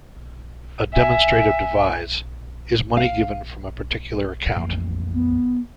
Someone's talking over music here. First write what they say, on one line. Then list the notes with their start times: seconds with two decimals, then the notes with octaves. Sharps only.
A demonstrative devise, is money given from a particular account.
0.94 E5 G#5
2.97 F5
4.56 A1 F2 A#3
5.14 B3